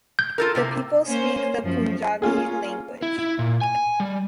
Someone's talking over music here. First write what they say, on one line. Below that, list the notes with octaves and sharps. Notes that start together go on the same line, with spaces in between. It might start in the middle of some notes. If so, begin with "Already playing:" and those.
The people speak the Punjabi language.
G6
F4 A4 A#4
A2 C3 A#3
A#3 C#4 C5
F#2 F3
A#3 C#4 F4 G#4
E4
E4
A#2
G#5
G3